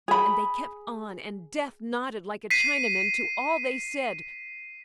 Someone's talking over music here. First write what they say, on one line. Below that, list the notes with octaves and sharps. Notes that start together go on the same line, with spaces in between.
And they kept on, and Death nodded like a Chinaman to all they said.
G#4 B5
B6 C7 D#7